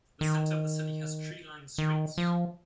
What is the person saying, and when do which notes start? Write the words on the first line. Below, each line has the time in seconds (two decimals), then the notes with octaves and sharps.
The center of the city has tree-lined streets.
0.21 D#3
1.78 D#3
2.18 F3